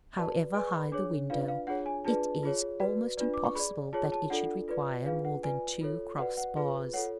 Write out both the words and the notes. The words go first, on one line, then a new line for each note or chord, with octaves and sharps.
However high the window, it is almost impossible that it should require more than two cross bars.
F#4 B4 D5 A5
G#4 B4 D5 G#5
C#6
B5
D4 G#4 C#5 D6
D4 F4 B4 D5 F5
F5
D4 F4 G#4 C#5 F#5
G#5
D4 F4 G#4 B4 D5 A5
F4 G#4 C#5
F#4 B4 D5
D4 F4 B4 D5
D6
C#6
G#4 D5 B5
F4 G#4 C#5 A5
A5
D4 F4 A4 D5 F#5
F4 B4 D5
D4 F4 G#4 B4 F5
F#5
F4 B4 D5 G#5
F4 A4 C#5
F#4 B4 D5 F#5
F#5
F4 G#4 B4
F4 A4 C#5 F#5